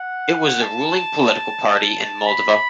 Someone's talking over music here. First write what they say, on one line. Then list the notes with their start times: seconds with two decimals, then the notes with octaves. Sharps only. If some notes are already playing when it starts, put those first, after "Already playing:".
It was the ruling political party in Moldova.
Already playing: F#5
0.62 A5
2.26 B5